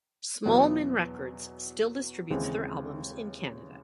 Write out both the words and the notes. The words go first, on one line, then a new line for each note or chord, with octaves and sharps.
Smallman Records still distributes their albums in Canada.
E2 B2 F#3 B3 E4
D#2 C#3 E3 G#3 C4